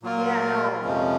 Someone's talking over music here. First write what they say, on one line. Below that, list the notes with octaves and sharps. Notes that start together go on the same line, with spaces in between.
yeah, no.
A#2 F#3 A#3 F4 A#4
F2 C3 F3 G#3 C#4